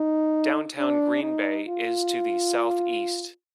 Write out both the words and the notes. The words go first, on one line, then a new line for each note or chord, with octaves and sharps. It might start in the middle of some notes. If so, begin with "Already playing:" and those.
Downtown Green Bay is to the southeast.
Already playing: D#4
D4
D#4
F4